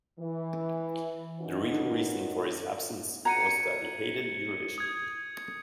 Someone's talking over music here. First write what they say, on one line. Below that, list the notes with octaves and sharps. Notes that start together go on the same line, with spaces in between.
The real reason for his absence was that he hated Eurovision.
E3
D#3 C#4 D#4 F4 F#4 B4
F#4 A#5 G#6 C#7 D#7
D#6 G#6